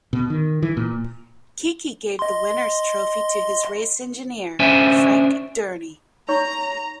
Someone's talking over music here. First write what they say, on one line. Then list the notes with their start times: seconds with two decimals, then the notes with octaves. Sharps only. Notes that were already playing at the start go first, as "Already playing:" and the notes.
Keke gave the winners trophy to his race engineer, Frank Dernie.
0.13 B2
0.30 D#3
0.63 E3
0.77 A#2
2.19 D#5 C6
4.59 C#4 D4 C5 E5 G#5
6.28 D#4 C#5 A#5 C#6